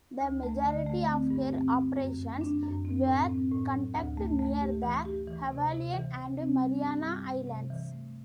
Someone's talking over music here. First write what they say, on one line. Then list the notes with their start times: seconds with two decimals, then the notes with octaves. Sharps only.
The majority of her operations were conducted near the Hawaiian and Mariana Islands.
0.21 D2
0.43 A3
0.64 D3
0.86 A3
1.09 C4
1.30 G2
1.53 C4
1.75 C4
1.97 F#2
2.19 A3
2.41 D4
2.63 F#2
2.85 C4
3.07 A2
3.29 C4
3.51 A2
3.73 F#3
3.95 D2
4.17 A3
4.39 A3
4.61 G4
4.83 E3
5.05 G4
5.28 E3
5.49 C3
5.71 C3
5.93 E3
6.15 C3
6.37 C4
6.59 G3
6.82 G2
7.04 G3
7.26 C3
7.47 C3
7.70 E3
7.92 A3